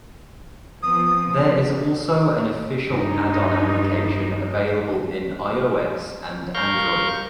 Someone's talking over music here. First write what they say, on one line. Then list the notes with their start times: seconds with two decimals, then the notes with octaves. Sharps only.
There is also an official addon application available in ios and android.
0.83 F3 B3 C4 D#6
2.87 G2 D#4
6.55 A#4 F5 C#6 G6